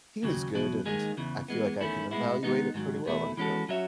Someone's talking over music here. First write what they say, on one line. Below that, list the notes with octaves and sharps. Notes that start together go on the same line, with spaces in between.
he was good, and I feel like I can evaluate it pretty well on some
D#2 C#3 F#3
E2 B2 F#3
D#2 D#3 G#3 D#4 G#4
E2 C#3 E3
E3 G#3 B3
E2 D#3 A3 C#4 E4
A2 G#3 B3 E4
D#3 G#3 B3 D#4
G#2 D#3 F#3
E2 B2 A3 E4
E3 G#3 C#4 F#4 A4
F#3 C#4 F#4 C#5 E5